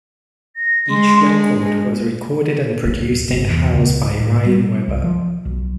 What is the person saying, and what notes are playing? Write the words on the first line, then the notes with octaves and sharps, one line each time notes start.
Each record was recorded and produced in-house by Ryan Weber.
A#6
G#3 C6
D4
D1
G1
E2
C#2
A2
G3
C2
F3
B1